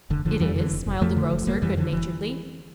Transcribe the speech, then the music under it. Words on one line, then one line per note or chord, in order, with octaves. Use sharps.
"It is," smiled the grocer, good-naturedly.
F1 D3
F1 D3 F3
F2 E3 G3
D3 E3
F1
F1
F2 F3 A3
D3
F1
F1 G3 A#3
F2 E3 G3
D3 E3
F1 E3